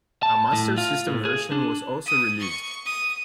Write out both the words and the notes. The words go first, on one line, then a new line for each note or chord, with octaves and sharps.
A Master System version was also released.
A5
A2
F4
A2
G#4
D4
D#6
C#6
D#6